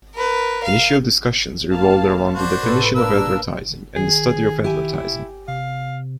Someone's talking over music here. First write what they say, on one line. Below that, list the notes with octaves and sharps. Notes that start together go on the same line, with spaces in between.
Initial discussions revolved around the definition of advertising and the study of advertising.
A#4 B4
F5
A#3 F5 A5
D4 F#4 C5
A2 A4 B4
A#3 D4 A#4 E6
D#3 G#4
E4 G4 G#5
C3 F5